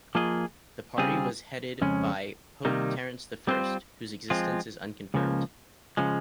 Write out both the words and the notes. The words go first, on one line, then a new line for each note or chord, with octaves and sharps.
The party was headed by "Pope Terence the First", whose existence is unconfirmed.
F3 A#3 F4 G#4 D#5
C#3 G3 C4 F4 G#4
F2 C#3 G#3 C#4
C3 D#3 G3 A#3 D#4
G3 C4 F4 C5
F3 G#3 C4 F4
C#2 C#3 F3 A#3
C#3 F3 G#3